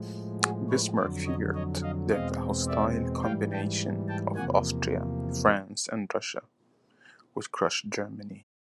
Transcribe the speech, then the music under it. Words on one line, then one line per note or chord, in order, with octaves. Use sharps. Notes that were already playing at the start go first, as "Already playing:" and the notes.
Bismarck feared that a hostile combination of Austria, France and Russia would crush Germany.
Already playing: A2 F3 G#3
F#4 G#4
B4 C#5
F2 D3 F#3 C5 D5
C#5 D#5
C#5 D#5
D#5 F5
E2 B2 G#3 C4 D#5 F5
D5 E5
G#2 E3 G3 F5 G5
G5 A5
G5 A5
E2 C3 F3 A#3 F#5 G#5